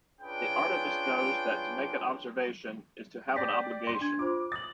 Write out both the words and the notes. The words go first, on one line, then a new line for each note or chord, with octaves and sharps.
The artivist knows that to make an observation is to have an obligation.
C#4 D4 F4 G#4 B4 G5
D5 G5 G6 A#6 B6
C6
D4 G#6
F4 C5 D6
D#6 A6 F#7